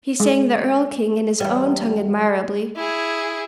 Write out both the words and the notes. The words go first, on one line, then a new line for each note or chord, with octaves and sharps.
He sang the "Erl-King" in his own tongue admirably.
G#3
E2 G3
E4 G#4